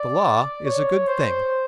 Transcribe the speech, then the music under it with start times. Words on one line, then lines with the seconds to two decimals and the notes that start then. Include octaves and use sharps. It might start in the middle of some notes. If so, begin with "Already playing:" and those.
The Law is a good thing.
Already playing: D5
0.65 C#5
1.07 C5